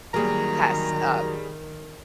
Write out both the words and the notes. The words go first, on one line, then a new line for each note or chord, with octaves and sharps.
past, uh,
D#3 F#3 G3 A#3 G#4 A#4 A#5